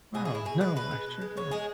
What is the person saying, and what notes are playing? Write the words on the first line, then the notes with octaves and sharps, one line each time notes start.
Wow, no, I sure don't.
B2 G#4
G#4
G#3 E4
B2 G#4
G#3 B4
B2 B4
G#3
B2
G#3
C#3 C#5
G#3 G#4